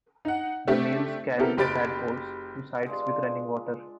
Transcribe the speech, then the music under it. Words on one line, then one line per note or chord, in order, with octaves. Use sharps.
The males carry the tadpoles to sites with running water.
D#4 F#5
A3 C4 D4 G4
B3 C4 E4 G4 A4 A#4
F#1 G4 B5 A6 D7
G#3 D4 F4